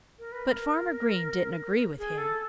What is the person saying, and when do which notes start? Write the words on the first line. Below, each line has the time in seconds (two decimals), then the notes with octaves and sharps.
But Farmer Green didn't agree with him.
0.19 A#4
0.32 B4
0.44 A#4
1.99 G#4
2.18 A4